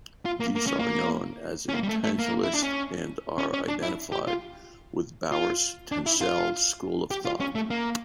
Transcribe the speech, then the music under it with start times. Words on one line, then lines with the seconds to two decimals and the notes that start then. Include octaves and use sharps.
These are known as intentionalists and are identified with the Bowers-Tanselle school of thought.
0.25 F4
0.40 A#3
0.55 A#3
0.67 C#4
0.79 A#3
1.69 C#4
1.74 A#3
1.83 G3
1.89 A3
2.04 A3
2.19 A#3
2.43 E4
2.54 D4
2.63 C#4
3.38 C#4
3.53 C#4
3.68 D4
3.82 E4
4.12 G4
4.27 F4
5.32 F4
5.92 D4
6.06 E4
6.21 F4
7.11 G4
7.25 F4
7.40 C#4
7.55 A3
7.70 A#3